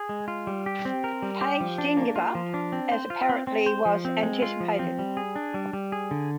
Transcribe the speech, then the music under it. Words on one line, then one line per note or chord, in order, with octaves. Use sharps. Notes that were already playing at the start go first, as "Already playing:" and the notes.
Page didn't give up as apparently was anticipated.
Already playing: G#4
G#3
F4
G3
G4
C4
A#4
G3
G4
F3
D4
A#3
F4
F3
D4
C4
C5
F4
C4
C4
C5
F3
C4
G#3
F4
F3
C4
G3
G#4
D4
G3
G3
G#4
D3